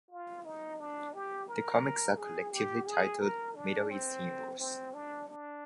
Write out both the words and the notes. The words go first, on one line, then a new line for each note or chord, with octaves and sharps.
The comics are collectively titled "Middle East Heroes".
F4
D#4
D4
G4
A#4
G#4
G4
G#4
A#4
D4
C4
C4
D4
D4